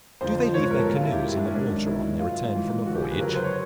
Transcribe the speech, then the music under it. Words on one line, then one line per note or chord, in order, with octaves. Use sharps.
Do they leave their canoes in the water on their return from a voyage?
F2 D3 F3 C5
G#2 F3 C#5
B4
A#4
A4
A#2 F#3
F4
E4
G4
G#2 D#3 F#3
E4
D4
C#4
G#2 D#3 F#3 D4
G#2 D#3 F#3 E4
G#2 D#3 F#3 F4
G#2 E3
F#2 D3 F3 F#4
G4
G#4
B4
F#2 C#3 F#3 A#4
B4
C5
C#5